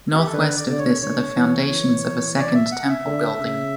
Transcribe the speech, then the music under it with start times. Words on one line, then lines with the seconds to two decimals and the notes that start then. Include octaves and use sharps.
Northwest of this are the foundations of a second temple building.
0.12 F#4
0.19 G4
0.27 A4
0.33 D3 B4
0.57 D5
0.68 D3 D5
0.79 C#5
1.02 D3 C#5
1.36 E3
1.70 E3
2.38 D5
2.55 E5
2.72 F#5
2.89 E5
3.06 D3
3.40 C#3